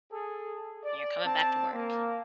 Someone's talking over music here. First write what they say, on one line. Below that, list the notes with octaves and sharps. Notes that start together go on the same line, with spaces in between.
You're coming back to work.
G#4 A4
D5
C4 A5
A#3